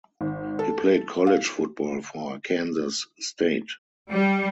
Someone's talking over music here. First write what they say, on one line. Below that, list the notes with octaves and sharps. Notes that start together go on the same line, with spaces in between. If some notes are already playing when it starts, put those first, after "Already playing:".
He played college football for Arkansas State.
G#1
A4
F5
G3